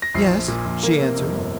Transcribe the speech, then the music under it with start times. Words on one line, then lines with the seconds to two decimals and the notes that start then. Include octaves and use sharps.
"Yes," she answered.
0.02 A#6
0.14 A#1 C7
0.31 F3
0.48 A#2
0.65 A#1
0.83 A#3
0.99 C3
1.16 F2
1.33 G1